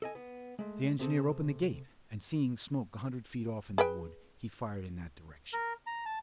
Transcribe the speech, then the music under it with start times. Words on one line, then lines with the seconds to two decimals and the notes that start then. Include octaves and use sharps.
The engineer opened the gate, and seeing smoke a hundred feet off in the wood, he fired in that direction.
0.02 A4 D#5 G#5
0.15 B3
0.59 G#3 A3
0.99 C3 C4 G#4 A4 C5
3.78 G#4 B4 G5
5.53 A#4
5.87 A#5
6.06 A5